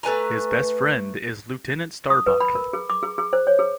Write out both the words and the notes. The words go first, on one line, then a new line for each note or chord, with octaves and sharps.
His best friend is Lieutenant Starbuck.
A3 B4 G#5 A#5
D#6
B4
B5
A#4
G#4
D6
G#4
G#4
C5
C#5
G#4